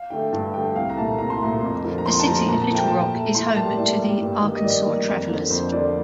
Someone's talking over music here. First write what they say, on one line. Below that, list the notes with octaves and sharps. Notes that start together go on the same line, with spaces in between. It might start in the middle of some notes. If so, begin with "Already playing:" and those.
The city of Little Rock is home to the Arkansas Travelers.
Already playing: F5
D3 A3 G5
G2 A5
D3 A3 G5
C2 F5
A#5
A#2 A3 A5
C2 A#5
C6
A#2 A3 A#5
F2
D3 F3 A#3
A#5
F2 C6
A5
D3 F3 A#3 A#5
A#2 A#5
A5
F3 A3 G5
A#2 A5
F3 A3
A2 C6
G3 A#3 A5
A2 D5
G3 A#3
G2
D#3 G3 A#3
D#5
G2 D5
D#3 G3 A#3
F2
D3 F3 A#3
F2 C5
D3 F3 A#3 D5